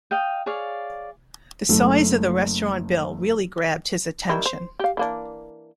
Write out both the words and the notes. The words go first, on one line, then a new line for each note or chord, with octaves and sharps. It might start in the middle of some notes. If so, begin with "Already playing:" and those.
The size of the restaurant bill really grabbed his attention.
D#5 F5 G5
G#4 C#5 D5 F5
F#1 A3
D#3 G3 E4
C5
G4 F5
E3 A#3 D4